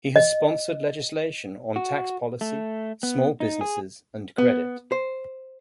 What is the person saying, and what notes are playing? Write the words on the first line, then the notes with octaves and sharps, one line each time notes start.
He has sponsored legislation on tax policy, small businesses, and credit.
D#5
F#4
A3
B3
D#4
G#4
B3
C5